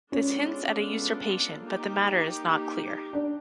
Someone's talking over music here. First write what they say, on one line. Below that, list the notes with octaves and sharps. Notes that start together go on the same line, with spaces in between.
This hints at a usurpation, but the matter is not clear.
G#3 B3 C#4 D4 F4 A4
A#3 D#4 G4
D4